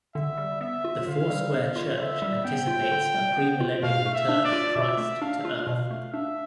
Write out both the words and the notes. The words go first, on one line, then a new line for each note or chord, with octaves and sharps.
The Foursquare Church anticipates a premillennial return of Christ to earth.
D3 E5
G3
B3 E5
F4
D3 F5
G3
B3 F5
F4
D3 E5
G3
B3 G5
F4
D3
G3
B3
F4
B2 F5
A3
E5
D4
D5
F4
B2 E5
A3
D4 F5
F4
B2 F5
A3
D4 E5